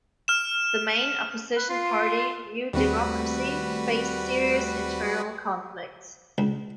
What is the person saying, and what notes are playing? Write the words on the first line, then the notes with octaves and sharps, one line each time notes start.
The main opposition party, New Democracy, faced serious internal conflicts.
F6 E7
B4
F4 C6
D#2 G3 A3 C4 F#4 B4
C#2